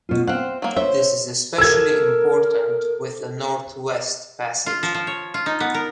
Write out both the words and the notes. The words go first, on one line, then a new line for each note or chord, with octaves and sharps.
This is especially important with the Northwest Passage.
B2 F4
C4 F5 F#5
F#3 A#3
C5 C#5 E5
A4 A#4 E6 G#6
F4
F3
F3
C#5
F4
D#4
B3
A#4